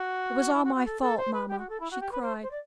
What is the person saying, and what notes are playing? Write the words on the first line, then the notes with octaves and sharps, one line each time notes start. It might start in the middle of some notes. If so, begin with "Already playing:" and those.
"It was all my fault, Mamma!" she cried.
Already playing: F#4
E4
F#4
F#4
A4
A4
C5
B4
G4
F#4
A4
E4
F#4
G4
B4
C5
C5
D5